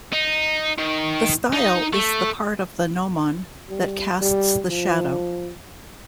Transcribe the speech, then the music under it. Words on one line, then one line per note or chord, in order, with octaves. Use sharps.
The style is the part of the gnomon that casts the shadow.
D#4
D#3
D#4 D#5
A3
G3
G3
F3